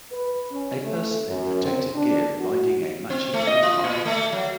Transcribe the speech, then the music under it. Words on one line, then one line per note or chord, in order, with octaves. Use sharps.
A person in protective gear riding a matching motorbike.
B4
C#4
A3
F#2
C4
D4
F#4
C4
A3
D#5
F4
A#2
A3
F#3